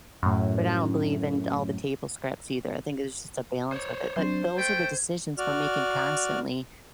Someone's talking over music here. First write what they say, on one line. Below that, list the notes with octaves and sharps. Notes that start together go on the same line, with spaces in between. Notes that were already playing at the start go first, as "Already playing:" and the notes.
but I don't believe in all the table scraps either. I think there's just a balance with it. But those are the decisions we're making constantly.
F#2 A2
C5 C#5
F#3 C4 D4 C5
A3 G5 G#6
F#4 D5 F6